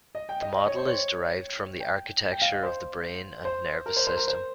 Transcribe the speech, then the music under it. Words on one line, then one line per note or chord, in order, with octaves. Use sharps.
The model is derived from the architecture of the brain and nervous system.
D#5
G5
D#5
D#5
C#5
C5
C#5
G5
G5
F5
D#5
C5
C5
A#4
C5
C5
A#4
C5